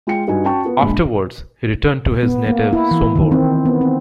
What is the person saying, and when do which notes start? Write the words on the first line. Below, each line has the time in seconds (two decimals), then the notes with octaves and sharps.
Afterwards he returned to his native Sombor.
0.07 G#3 F4 G#4 G5 C#7
0.27 G2 D#4 F#4 G#5
0.44 C#4 F#4 G5 A5 C#6
0.65 B3 F4
0.79 A#1 G#3 D4 B5
2.23 B3
2.47 A#3
2.73 E4
2.91 E3
3.16 D#3
3.32 C4
3.66 B3
3.81 C4